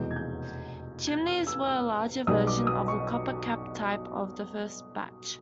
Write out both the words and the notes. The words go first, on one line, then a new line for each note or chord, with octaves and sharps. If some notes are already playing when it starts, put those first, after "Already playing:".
Chimneys were a larger version of the copper-capped type of the first batch.
Already playing: F1 E2 B2 G#3 G6
G#6
G6
G#6
F6
E6
E6
B1 B2 G3 D#6
D6
D#6
C#6